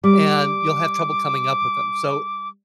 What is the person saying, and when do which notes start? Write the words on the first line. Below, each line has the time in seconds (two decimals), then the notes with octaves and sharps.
And you'll have trouble coming up with 'em, so
0.04 G3 D6